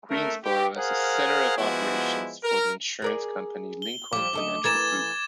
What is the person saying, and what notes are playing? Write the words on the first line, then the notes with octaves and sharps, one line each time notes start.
Greensboro is a "center of operations" for the insurance company Lincoln Financial Group.
A3 A#4
G4
G#4 A#4 C5 F5 F#5
F3 G#3 B3 E4 F#4
A#4
G#4 A#4 D5
G7
F3 G3 D6
D2 A4 D#5
E3 A4 A#4 G#6 A6 E7